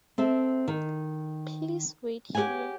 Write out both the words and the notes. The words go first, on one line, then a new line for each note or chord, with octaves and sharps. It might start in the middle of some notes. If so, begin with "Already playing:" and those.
Please wait here.
C4 A4 E5
D#3
G4 A4 C#5 F#5 G#5